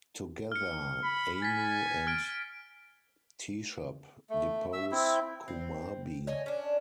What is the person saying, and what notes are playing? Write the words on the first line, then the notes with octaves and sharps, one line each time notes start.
Together, Anu and Teshub depose Kumarbi.
F6 C#7
B5
G#5 A6 B6
F6 D7
A3
E5 E6
C4 E4
C4
C#5 D#5 G#5
C#4 D4